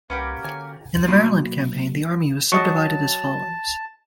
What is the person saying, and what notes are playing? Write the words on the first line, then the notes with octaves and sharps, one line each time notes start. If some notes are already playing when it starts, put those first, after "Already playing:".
In the Maryland Campaign the Army was subdivided as follows.
C2 A#3 C#4 F#4 G4 A#4 B4
D3 F#3 G#5
B1 A#3 D#4 F#4 B5 C6
F#3 D#5 A5 C#6